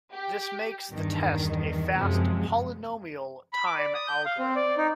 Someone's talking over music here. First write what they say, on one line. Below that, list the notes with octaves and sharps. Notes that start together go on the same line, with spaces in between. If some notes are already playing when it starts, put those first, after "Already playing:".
This makes the test a fast polynomial-time algorithm.
G4
E2 G2 D#3
F#2 C3 F3 G#3
B5
D6
D5
D#6
G6
F5
C4
D5
D#4